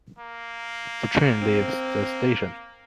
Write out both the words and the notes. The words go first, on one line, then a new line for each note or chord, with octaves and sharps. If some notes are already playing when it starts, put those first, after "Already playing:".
The train leaves the station.
A#3
C4